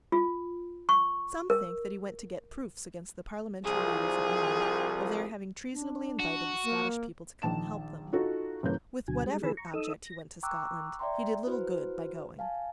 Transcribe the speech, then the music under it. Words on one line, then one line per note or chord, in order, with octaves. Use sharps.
Some think that he went to get proofs against the Parliamentary leaders in England of their having treasonably invited the Scottish people to come and help them. With whatever object he went to Scotland, he did little good by going.
F4
C#6
A#4
C2 F3 G#4
D4
F#4
A#3
A#1 D#3 A5 E7
D#4 F4 F#4 A4
G1 C#3 E3 A#3 G6
D2 B2 D3 F#3 G#5
G3 G#3
D#3 E3 G#4 B4 B5 E6
A#5 C#6
D#4 A4 D#6 E6
A#6
G5 A#5 C#6 D6 E6 F#6
D5 E5 G5 A#5 C6
E4 F#4 B4 C5
F5 G#5 A5